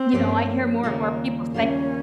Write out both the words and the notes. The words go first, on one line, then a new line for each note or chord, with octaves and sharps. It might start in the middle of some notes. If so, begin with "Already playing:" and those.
You know, I hear more and more people saying
Already playing: C4
G2 F3 A#3 C#4 G4
D#2 C#3 G3 A#3 F4
D#2 C#3 G3 A#3 C#4 F4